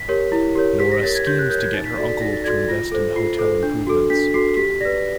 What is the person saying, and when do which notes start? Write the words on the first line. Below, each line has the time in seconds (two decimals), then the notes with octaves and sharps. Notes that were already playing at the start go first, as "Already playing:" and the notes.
Nora schemes to get her uncle to invest in hotel improvements.
Already playing: B6
0.09 G4 A#4 C#5
0.32 E4
0.55 G4 A#4 C#5
0.80 G4 B6
0.92 A#6
1.03 A#4 C#5 A6
1.15 G#6
1.26 G4 G6
1.39 F#6
1.50 A#4 C#5 G6
1.62 G#6
1.74 D#4 A6
1.85 B6
1.97 F#4 A4 D5 A6
2.09 B6
2.20 D#4 A#6
2.33 A6
2.44 F#4 A4 D5 G#6
2.56 A6
2.68 F4 A#6
2.92 A4 C5
3.16 F4 C7
3.39 A4 C5
3.63 D4
3.87 F#4 A4
4.10 D4 B6
4.34 F#4 A4 C7
4.57 G4 B6
4.81 B4 D5 A#6